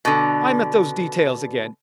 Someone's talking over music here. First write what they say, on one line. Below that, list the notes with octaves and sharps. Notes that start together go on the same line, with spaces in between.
I'm at those details again.
B2 D3